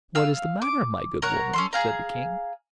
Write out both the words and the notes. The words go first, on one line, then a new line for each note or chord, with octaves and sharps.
"What is the matter, my good woman?" said the King.
F5 E6
D6
A#4 C#5 F#5 A#5
C#4 A4 C6
G#4 F5 A#5